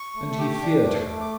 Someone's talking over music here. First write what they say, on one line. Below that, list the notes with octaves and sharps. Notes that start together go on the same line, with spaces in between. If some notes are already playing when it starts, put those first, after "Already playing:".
And he feared her.
Already playing: C#6
A3
C#6
G4 D6
D4
A3
A3
D6